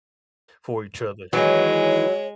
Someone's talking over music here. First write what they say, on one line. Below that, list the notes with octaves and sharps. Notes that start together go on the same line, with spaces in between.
for each other
D#3 E3 F#3 G#3 C#5